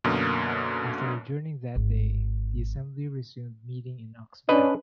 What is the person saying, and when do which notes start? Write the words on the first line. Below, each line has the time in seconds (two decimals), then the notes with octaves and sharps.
After adjourning that day, the Assembly resumed meeting in Knoxville.
0.04 F#2 B2 D3 A#3
1.76 G#1
4.49 C#4 D4 B4 D#5